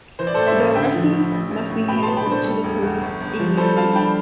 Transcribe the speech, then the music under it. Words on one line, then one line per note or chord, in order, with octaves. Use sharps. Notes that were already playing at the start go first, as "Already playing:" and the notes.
The arrestee must be handed over to the police immediately.
E3 C5
D5
A2 A4 C5
C5 E5
A1
D3 E5 G5
F3
D3
A1
A1
A2
B2 G5 B5
B3 A5 C6
G5 B5
D4 A4 C5
G3 A4
E1
E2
G1
G1
F3
G3 A4 C5
G3 F5 A5
D4 G5 B5